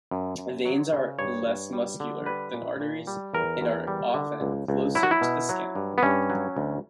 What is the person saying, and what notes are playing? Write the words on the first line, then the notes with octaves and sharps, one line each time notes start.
Veins are less muscular than arteries and are often closer to the skin.
F#2
F#2
F#3
C#3
G2 C#5
G2
G3
D3
G3 B4
A#2
A#2
G3
E2 A#4
E2
G3
D3
C#2
C#2
F#3 E4
F#4
E4
B2
F#3
G2
B3
G2 C#4
F#3
D2